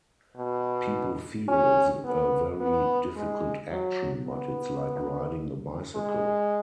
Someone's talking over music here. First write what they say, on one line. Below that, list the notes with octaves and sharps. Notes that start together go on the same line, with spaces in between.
People feel it's a very difficult action but its like riding a bicycle.
B2
C#4
B3
B3
G#3
F#3
B3
G#3